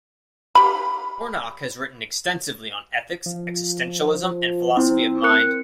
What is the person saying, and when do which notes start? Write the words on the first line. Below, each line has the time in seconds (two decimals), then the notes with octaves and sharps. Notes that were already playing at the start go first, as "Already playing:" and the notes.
Warnock has written extensively on ethics, existentialism and philosophy of mind.
0.55 G4 B5
3.26 F3
4.77 C4 E4 C5
5.24 A#4 F#6 C#7